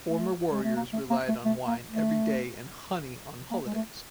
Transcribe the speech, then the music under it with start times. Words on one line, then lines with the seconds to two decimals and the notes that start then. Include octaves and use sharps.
Former warriors relied on wine every day and honey on holidays.
0.08 A3
0.52 G#3
0.64 A3
0.76 A#3
0.93 A3
1.10 A#3
1.29 A3
1.45 A3
1.68 A#3
1.91 A3
3.51 A#3
3.66 G#3
3.75 A3